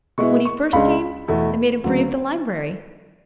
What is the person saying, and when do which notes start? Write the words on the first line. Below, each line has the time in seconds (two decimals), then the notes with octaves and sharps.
When he first came, I made him free of the library.
0.18 B2 G#3 B3 E4 C#6
0.45 C#6
0.73 C#2 C#3 G#3 D4 B5
1.28 E2 B2 A3 E4
1.84 D2 C#3 F#3 B3